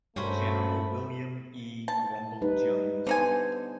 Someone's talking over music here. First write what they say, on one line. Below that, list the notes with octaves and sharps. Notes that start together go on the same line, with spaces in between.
General William E. "Grumble" Jones.
G2 A3 C#4 F#4 A#4 C5 B5
A5
G3 D#4 B4
D3 B3 D#4 C5 G#5